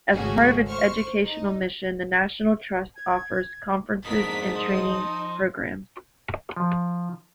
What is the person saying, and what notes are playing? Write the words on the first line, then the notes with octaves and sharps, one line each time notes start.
As part of its educational mission, the National Trust offers conferences and training programs.
G#1 C#2 A3 C#4 F#4 G#4
C5 C#6 F6
D#4
G#6
F2 G#2 B3 D4 A#4 D#6 B6
F3 D#4
F3